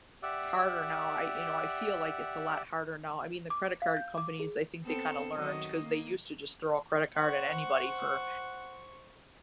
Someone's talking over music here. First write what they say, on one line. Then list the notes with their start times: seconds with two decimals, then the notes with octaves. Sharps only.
harder now, I you know, I feel like it's a lot harder now, I mean, the credit card companies, I think they kinda learned 'cause they used to just throw a credit card at anybody for
0.23 G4 D5 E5 F#5
3.50 D6
3.82 F5
3.97 G6
4.18 D6
4.40 G#4
4.84 B3 C4 A4
5.34 D#3 F#3 D#5
5.84 A#3
7.16 C5 F#5 C#6